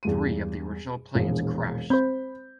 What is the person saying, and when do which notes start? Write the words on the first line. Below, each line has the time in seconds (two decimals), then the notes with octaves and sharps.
Three of the original planes crashed.
0.03 E2 G2 D#7
1.15 E1 A#1 E3
1.90 C4 C5 B5 G6